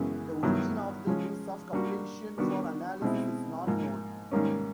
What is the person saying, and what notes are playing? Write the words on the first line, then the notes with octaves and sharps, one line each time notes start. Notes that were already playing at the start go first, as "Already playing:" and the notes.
The origin of the use of cupellation for analysis is not known.
Already playing: F#2 C#3 E3 G#3 B3
G2 D#3 F#3 B3 E4
F3 G#3 C#4
G3 A#3 D4 F#4
D#3 G3 B3 D4 F#4
B2 G#3 C4 E4
G#2 F3 A#3
G#2 D#3 G3 A#3 C#4